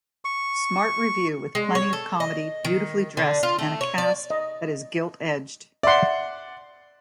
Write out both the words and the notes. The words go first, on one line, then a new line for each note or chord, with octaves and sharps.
Smart revue with plenty of comedy beautifully dressed and a cast that is gilt-edged.
C#6
G#3
C#5
A4
D#5
D#3
D3
F4
A3
C#5
D5
D#5
D5 E5 F#5 C6